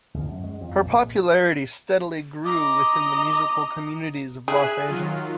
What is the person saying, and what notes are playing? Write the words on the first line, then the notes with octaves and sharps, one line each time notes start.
Her popularity steadily grew within the musical communities of Los Angeles.
D2
F#2
G#3
F2
A#1
D#5 A#5 D6
G#4 E5 G#5 F#6
D#3 F#3 F4